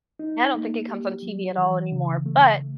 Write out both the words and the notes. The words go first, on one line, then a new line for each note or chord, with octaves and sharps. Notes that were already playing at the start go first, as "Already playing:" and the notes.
I don't think it comes on TV at all anymore, but
D#4
A#3
G4
F#3
E3
C#3
A3